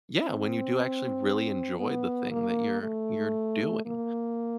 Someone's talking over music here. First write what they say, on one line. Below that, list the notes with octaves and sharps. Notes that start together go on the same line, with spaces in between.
Yeah, when you do actually really enjoy the thing that you're you're doing.
C4
B3
A#3
A3
A#3